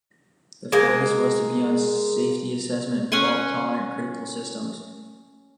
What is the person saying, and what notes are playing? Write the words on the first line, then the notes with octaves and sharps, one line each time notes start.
The focus was to be on safety assessment and fault-tolerant critical systems.
G#3 A#3
C#4 F#5 G#5 C6